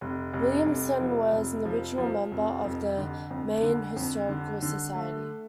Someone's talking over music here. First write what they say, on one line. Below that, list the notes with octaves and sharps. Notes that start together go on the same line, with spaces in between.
Williamson was an original member of the Maine Historical Society.
F1
F1
F1
F3
F1
F3
F3
F1
F2
D3
F2
D3
F2
D3
D3
A3